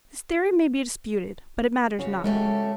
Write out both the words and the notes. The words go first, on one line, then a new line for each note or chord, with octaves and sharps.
This theory may be disputed, but it matters not.
C#3 C#4 F#4
F2 G#3 A3 G4